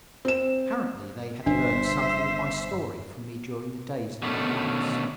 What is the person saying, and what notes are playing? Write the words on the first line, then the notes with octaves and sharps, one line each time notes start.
Apparently they had learned something of my story from me during the days of my lapse.
C4 E7
G1 D4 C5 E5
B2 D3 D#3 A3 C#4